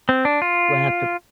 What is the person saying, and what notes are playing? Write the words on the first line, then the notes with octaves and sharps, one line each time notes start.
we'll have to
C4
D4
F4